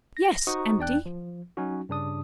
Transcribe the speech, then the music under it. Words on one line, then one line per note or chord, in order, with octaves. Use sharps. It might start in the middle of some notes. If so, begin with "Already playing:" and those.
'Yes, empty.
A#6
D#4 F#4 C5 A#5 C#6 D#6
E2 D4 D5 G5 F#6
F3
F#3 C#4 D#4 F#4
G2 C#3 D4 D#6